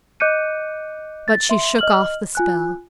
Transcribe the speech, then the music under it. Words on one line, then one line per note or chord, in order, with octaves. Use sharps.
But she shook off the spell.
D#5 D6 F#6 G6 C#7 D#7
A6
E5 C6
D#5 F6 F#7
F4 G#5 F#6